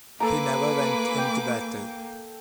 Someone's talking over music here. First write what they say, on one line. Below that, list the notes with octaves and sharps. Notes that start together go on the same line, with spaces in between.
He never went into battle.
A#3 A4 B4 G#5 A#5 D6
G5